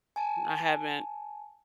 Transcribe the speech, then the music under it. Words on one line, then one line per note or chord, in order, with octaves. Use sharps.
I haven't.
G#5 A5